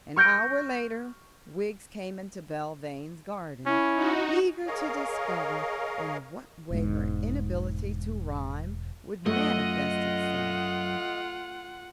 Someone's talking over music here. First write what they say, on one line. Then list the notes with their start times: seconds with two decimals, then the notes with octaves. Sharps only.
An hour later Wiggs came into Belvane's garden, eager to discover in what way her inability to rhyme would manifest itself.
0.16 C#6 F6 G6 A#6 D7
3.66 C#4 E4
3.95 D#4 F#4
4.67 G#4 A#4 C#5 D#5 F5
6.71 E1 G#2
9.26 F#2 A3 F4 D#5 F#5